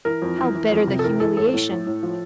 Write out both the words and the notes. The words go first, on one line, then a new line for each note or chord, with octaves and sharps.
How bitter the humiliation!
E3 A#4
F2
E3
E3
F2
C3
A4
E3 A#4
E3 A4
A2 A4
A2
A2
A2
F3